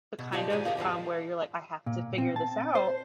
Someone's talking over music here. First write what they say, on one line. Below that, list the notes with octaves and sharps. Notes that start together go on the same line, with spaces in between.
but kind of, um, where you're like, "I have to figure this out,
B2
D#4 F4 G4 D5 A5
G#2 C5 D5 G#5
G4 A#4 D#5 F5
E2 A#2 F3 A5
A#2
C4
A5
C5